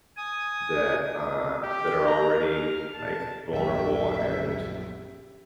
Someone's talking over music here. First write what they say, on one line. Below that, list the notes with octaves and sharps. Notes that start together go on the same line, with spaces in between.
that, um, that are already, like, vulnerable and,
G#5 D#6
G4
A#5
F6
A5
A#1 F#2 G4 E5